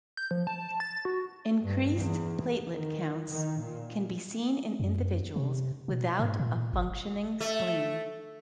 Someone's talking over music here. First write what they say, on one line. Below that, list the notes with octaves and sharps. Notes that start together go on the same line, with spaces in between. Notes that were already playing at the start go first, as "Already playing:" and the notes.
Increased platelet counts can be seen in individuals without a functioning spleen.
G6
F3
A5
A6
F#4
G2
E2
D#3
D#3
A#2
F#2
C3
B2
G#2
A#2
G1
A3